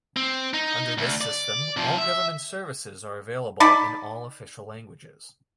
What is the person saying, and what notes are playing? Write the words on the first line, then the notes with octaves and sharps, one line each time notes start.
Under this system, all government services are available in all official languages.
C4
D#4
D2
D5
C3 F3
E5
D#4 D5 A5 B5